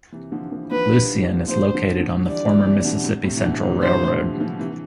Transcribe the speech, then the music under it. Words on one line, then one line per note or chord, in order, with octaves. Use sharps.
Lucien is located on the former Mississippi Central Railroad.
C3 E3
D3 F3
D3 F3
E3
D3 F3 B4
G3
F3
E3 G3
D3 F3
G3
D3 F3 C5
D3 F3
D3 F3
E3 G3 D5
E3 G3
C3 E3
E3
B2 D3
A2 C3
A2 C3
E3
B2 D3
C3 E3
D3 F3 C5
F3 A3
G3
D3 F3
C3 E3
E3